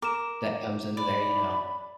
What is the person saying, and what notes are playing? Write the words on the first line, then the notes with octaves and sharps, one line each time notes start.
that comes into there, you know,
A#4 D6 E7
D5 B5